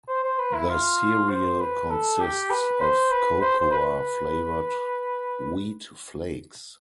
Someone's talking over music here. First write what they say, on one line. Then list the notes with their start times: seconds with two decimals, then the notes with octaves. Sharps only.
The cereal consists of cocoa flavored wheat flakes.
0.08 C5
0.23 C5
0.39 B4
0.54 E4
0.69 F4
1.29 C5
1.60 B4
1.91 A4
2.20 G4
2.50 B4
2.81 C5
3.11 B4
3.42 C5
3.60 C5
3.71 B4